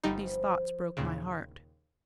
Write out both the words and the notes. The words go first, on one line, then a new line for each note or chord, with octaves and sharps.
These thoughts broke my heart.
G1 F3 G3 D#4 B4
D#2 A#2 C#3